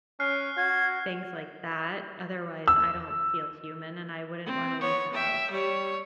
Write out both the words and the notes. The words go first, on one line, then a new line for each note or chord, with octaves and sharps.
things like that. Otherwise, I don't feel human, and I wouldn't wanna leave the house.
C#4 F6 F#6 C7
F#4 G#6
E6
C4
B3 C#5
E5 G5
G3 C#5